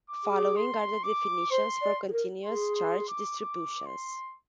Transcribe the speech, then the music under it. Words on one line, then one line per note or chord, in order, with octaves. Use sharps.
Following are the definitions for continuous charge distributions.
D6
G#4
C6
D6
C5 C6
D5
G#4
A#4
G#4 C6
C6
D6
D6
C6